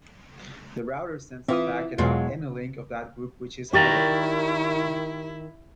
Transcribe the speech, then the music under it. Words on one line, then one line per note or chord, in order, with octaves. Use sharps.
The router sends the packet out any link of that group which is idle.
E3 C4 F4 E5 D#6
E2 B2 F#3 G#3 F4
D#3 E4 F#4 G4 A#4 D5 A#5